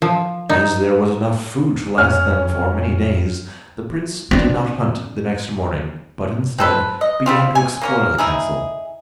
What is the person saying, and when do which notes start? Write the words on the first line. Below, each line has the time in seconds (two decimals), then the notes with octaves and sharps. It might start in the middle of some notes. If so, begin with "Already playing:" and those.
As there was enough food to last them for many days, the prince did not hunt the next morning, but, instead, began to explore the castle.
0.02 F3
0.49 D#4
1.98 F2 C#4 F6
4.31 C4 D4
6.59 C4 A4 B4
7.01 D#5
7.26 G3 C4 F4
7.55 G#5
7.81 A#3 C#4 A#4
8.18 D#4 E4 G#4